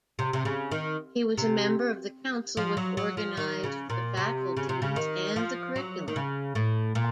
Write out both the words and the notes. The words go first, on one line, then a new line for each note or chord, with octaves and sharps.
He was a member of the council which organized the faculties and the curriculum.
C3
C3
C#3
D#3
C3
F3
F#3
F#3
F3
D#3
C#3
A#2
C3
C#3
C3
C#3
D#3
F3
F#3
D#3
C#3
A2
A#2